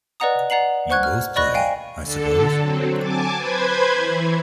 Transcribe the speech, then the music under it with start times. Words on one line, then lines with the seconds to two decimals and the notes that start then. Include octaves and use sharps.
You both play, I suppose?
0.20 B4 D5 D#5 F#5 A#5 D#6
0.50 D5 F#5 A#5 C7 F#7
0.90 C5 F#5 C#6 F#6 G#6
1.03 F6
1.36 D5 D#5 B5 C#6 F#6 A#6
1.54 F5 G5 G#5
2.00 D3 A4
2.59 F#3 C4
2.97 G#5 A5 D6
3.36 B4 C5 B5 G#6
3.95 E3